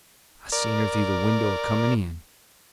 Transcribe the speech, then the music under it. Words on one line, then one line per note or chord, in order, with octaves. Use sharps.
I seen her through the window a-comin' in.
A#4 D5